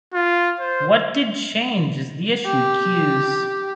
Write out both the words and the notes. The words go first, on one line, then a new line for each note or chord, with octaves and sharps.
What did change is the issue queues.
F4
C5
G4